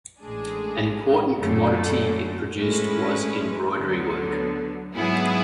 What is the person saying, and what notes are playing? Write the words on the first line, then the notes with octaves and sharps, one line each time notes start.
An important commodity it produced was embroidery work.
A1 A2 G#3 D4 G#4
F#2 D3 A3
A2 G#3 C#4 E4 B4
D2 D3 F#3 B3
G#2 F#3 B3 E4 G#4